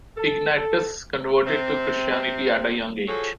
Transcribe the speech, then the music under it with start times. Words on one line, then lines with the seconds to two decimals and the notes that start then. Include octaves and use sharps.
Ignatius converted to Christianity at a young age.
0.17 A4
1.46 C3 C4
3.08 F3 F#3 F#4 G#4 A4